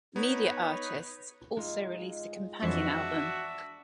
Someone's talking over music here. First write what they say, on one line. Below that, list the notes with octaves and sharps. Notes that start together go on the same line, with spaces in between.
Media Artists also released a companion album.
B3 D#4 B4 C#5
G#3 D#4 F4
F2 E3 F3 D4 F#4 E5